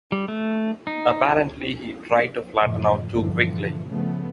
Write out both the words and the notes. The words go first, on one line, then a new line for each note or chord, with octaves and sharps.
Apparently he tried to flatten out too quickly.
G3
A3
D#4
F#2 A2 C3 E3 F3
G2 A#2 D3 E3 F3
C#3 F3 A3 B3